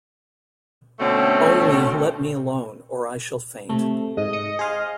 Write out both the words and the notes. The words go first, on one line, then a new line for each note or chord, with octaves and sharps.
Only, let me alone, or I shall faint.
B2 D3 A3 C4 C#4
C3 A3
G#2 D#5
D#6 C#7
G#4 C5 F5